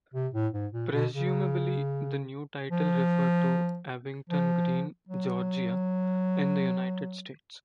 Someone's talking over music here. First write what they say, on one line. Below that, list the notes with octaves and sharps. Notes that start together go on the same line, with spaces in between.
Presumably the new title referred to Abington Green, Georgia, in the United States.
C3
A2
G#2
A#2
B2
C#3
F3
F3
F#3